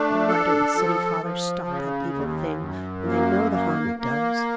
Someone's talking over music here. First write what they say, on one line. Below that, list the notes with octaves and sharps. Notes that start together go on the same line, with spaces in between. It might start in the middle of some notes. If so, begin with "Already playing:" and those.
Oh, why don't the city fathers stop that evil thing, when they know the harm it does?
Already playing: A3 D4
A4
F3
F3
C#3
D#2
F#2
A#3
A#3
A#3